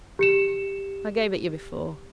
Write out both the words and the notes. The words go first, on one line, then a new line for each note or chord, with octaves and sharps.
'I gave it you before.
G4 C#7 E7